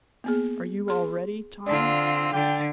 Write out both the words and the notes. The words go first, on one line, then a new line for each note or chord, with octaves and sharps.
"Are you all ready, Tom?"
A#3 B3 G#4
G#4 C6
D3 C4 F4 D5 A5
D3 G5